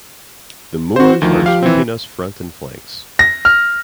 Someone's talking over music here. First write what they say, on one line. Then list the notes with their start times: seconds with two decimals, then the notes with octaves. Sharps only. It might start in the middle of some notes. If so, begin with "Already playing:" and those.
The Moors are sweeping us front and flanks.
0.96 C4 F#4 C5
1.21 D2 D#3 F3
1.46 G4 F5
1.63 E3 C4
3.19 A#6
3.45 F6